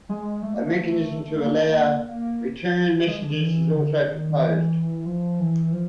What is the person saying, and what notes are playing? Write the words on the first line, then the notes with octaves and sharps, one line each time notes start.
A mechanism to allow return messages is also proposed.
G#3
A3
A#3
A3
A#3
A3
A#3
G#3
D3
D#3
E3
D3
D#3
E3
F3
E3
F3